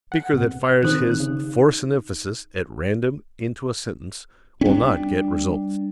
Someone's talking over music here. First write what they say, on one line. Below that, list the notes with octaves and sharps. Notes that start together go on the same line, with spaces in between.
The speaker that fires his force and emphasis at random into a sentence will not get results.
F#5
A#1 C3
B2 D#3 C4 D#4 F#6
C#3
G3 C#4 D4